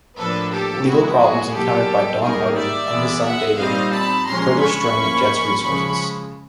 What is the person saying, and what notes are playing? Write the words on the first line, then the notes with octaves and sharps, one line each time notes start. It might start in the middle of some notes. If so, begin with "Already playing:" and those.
Legal problems encountered by Don Arden, and his son David, further strained Jet's resources.
A2 F3 A#3 D4 A4 B4
G4 A4
F3 G#3 B3 E4 F#4
F#4 G#4
B2 F#3 A#3 G4 A4
D#3 G3 A#3 D#4 G#4 A#4
D5 E5
E3 G#3 B3
E5 F#5
A#2 G3 C4 D#4 D#5 F5
A5 B5
A#2 F3 G#3 C#4 A#5 C6
B5 C#6
F3 A#3 C#4
C#3 F3 G#3 B5 C#6